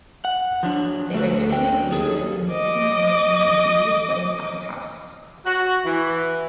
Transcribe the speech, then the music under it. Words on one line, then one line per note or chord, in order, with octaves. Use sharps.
They regularly hosted native Americans and fugitive slaves at their house.
F#5
F3 F#3 D4
D2 A3 A4 B4
D3 G5
D#2 G#4 A4
D#5 D6
F#4
E3